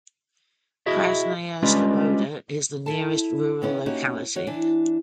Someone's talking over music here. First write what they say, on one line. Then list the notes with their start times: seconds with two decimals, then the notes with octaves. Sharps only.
Krasnaya Sloboda is the nearest rural locality.
0.86 E4 F#4 G#4 D#5 E5
1.63 G3 G#3 C#4 D4 F4 B4
2.86 E4 A4 A5
3.62 D#3 B3 C#4 E4
3.86 A#3 C#4 D#4 E4 F#4 G4
4.35 D#3 F#4 C#5
4.47 E3 D4